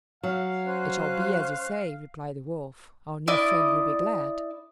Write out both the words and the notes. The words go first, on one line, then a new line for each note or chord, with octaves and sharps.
"It shall be as you say," replied the Wolf; "our new friend will be glad."
F#3 F5
C#4 C5 F#6
E4 D5 D#5